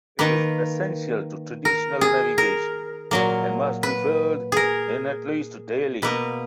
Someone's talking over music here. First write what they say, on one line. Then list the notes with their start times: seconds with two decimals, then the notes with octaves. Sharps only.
It is essential to traditional navigation, and must be filled in at least daily.
0.19 D#3 A#3 B4
1.65 A#4
2.01 G#4
2.38 A#4
3.11 A#2 F#3 A#3
3.83 B4
4.52 G#4 A#4
6.02 B2 A#3 B4